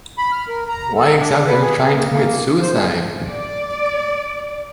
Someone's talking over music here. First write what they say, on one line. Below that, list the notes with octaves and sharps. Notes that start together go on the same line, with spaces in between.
Why exactly are you trying to commit suicide?
B5
F6
A#4
A#5
A4
D4
B4
G#4
A#3
A#3
C5
G#4
D5